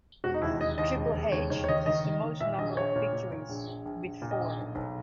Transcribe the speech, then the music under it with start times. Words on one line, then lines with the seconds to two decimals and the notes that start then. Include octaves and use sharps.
Triple H has the most number of victories, with four.
0.24 E1 F#4
0.34 D#4
0.42 D#2 E4
0.60 D#2 D#5
0.78 D#2 D#5
0.96 E1
1.14 E1
1.32 D#2 C#5
1.50 D#3 C#5
1.64 C#5
1.68 D#3 D#5
1.86 D#3 D#5
2.04 D#3
2.23 D#3
2.41 A#2 E5
2.59 A#1 D#5
2.76 A#1 C#5
2.96 A#2
3.13 A#2
3.31 A#2
3.49 A#1
3.67 A#1
3.85 A#1
4.03 A#1
4.22 A#2
4.31 D#5
4.39 A#1
4.58 B1
4.75 B1